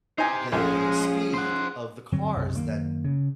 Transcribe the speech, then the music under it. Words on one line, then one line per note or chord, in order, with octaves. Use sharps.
the speed of the cars that
D#4 G4 C5 G#5
A#1 F3 G#3 C#4 G#4
C5 F#5
G2 D3 F#3 C4
B1 F#2 C3
F#2 D#3 A#3
C#3